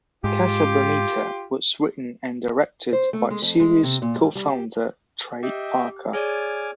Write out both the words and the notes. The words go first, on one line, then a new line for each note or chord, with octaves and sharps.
"Casa Bonita" was written and directed by series co-founder Trey Parker.
G#2 F4 G4
C5
A3
G#3
F2
G#3
C3
A#2
G#2
G3
G4
G4 D#5 E5 G5
G#4 C#5 D5 G#5 D6 F6